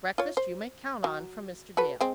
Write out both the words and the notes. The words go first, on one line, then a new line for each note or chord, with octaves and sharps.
Breakfast you may count on from Mr. Dale.
F4 C#5
C5
F#3
F#4 A4 B4
G#3 C4